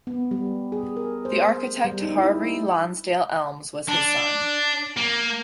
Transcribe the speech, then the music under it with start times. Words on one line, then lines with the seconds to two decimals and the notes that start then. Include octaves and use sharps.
The architect Harvey Lonsdale Elmes was his son.
0.07 B3
0.31 G3
0.72 G#4
0.97 A#4
1.25 C5
1.85 G3
2.02 D#4
2.18 E4
3.89 D4
4.97 A#3